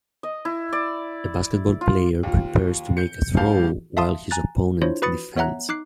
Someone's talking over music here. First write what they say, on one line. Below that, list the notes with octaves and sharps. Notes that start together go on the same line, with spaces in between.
A basketball player prepares to make a throw while his opponent defends.
D#5
E4
D5
F4
D#2 F4
G6 C#7
A1 G2 G4 F5 A5 G6
E5 F5 A5 C6 D#6
G#5 A#5 F#6 A6
D4 E4 F4 C5 C#5
F#4 B4 B5 D#6 A6 C#7
B3 C#5 E5 F#5 A#5 F#6
D#4 D6 F#6 C7